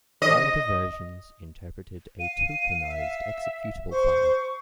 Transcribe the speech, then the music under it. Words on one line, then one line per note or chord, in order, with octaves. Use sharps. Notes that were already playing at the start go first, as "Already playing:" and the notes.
Older versions interpreted a tokenized executable file.
D#5
F5 D#7
E5
C5 C#6